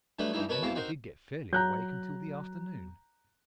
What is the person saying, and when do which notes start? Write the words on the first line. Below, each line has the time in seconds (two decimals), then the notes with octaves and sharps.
I never did get fairly awake until the afternoon.
0.19 D3 F#3 G3 A3 B4 D#5
0.33 G2 E3 G3 G#3 D#4 E4
0.49 B2 A#4 B4 C#5 A5 B5
0.63 E2 B2 C4 F5 A5 D6
0.75 C4 D#4 F#4 A#4 C5
1.53 F#3 A#5 F#6 G6